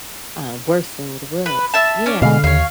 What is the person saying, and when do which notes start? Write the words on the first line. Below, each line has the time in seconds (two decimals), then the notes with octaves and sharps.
uh, worse than what it was Yeah.
1.46 B4
1.74 E5 A5
2.06 C#4 D4
2.22 B2 D3 G#3 F5
2.44 D#2 C#5 F5